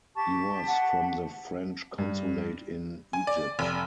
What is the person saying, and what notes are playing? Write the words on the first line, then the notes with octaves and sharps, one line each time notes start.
He was from the French consulate in Egypt.
G4 A5 C#6
F#5
G2
G#5
D5
F1